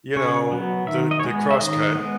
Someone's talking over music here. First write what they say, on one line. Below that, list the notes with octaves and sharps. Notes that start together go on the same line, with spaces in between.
you know, the the crosscut,
C#3 C#5
F#3 B3
D#3 E5
D#5
C#5
G#3 B3 D#5
E5
D#3 D#5
G#3 B3